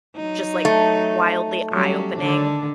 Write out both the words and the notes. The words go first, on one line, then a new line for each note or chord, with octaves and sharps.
just, like, wildly eye-opening,
F#3 D#4
A3
F#3 G3 C#4
D3 D#3 D4